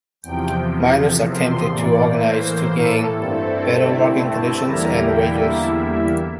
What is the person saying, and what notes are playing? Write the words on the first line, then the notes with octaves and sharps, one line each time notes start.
Miners attempted to organize to gain better working conditions and wages.
E2 C3 F3 G5
C6
A2 E3 A#3 D5
C5
A4
G2 D3 A3 C4 E4 A4
A4
A5
E2 D3 G3 A#3 E4 A#5
G5
E5
E5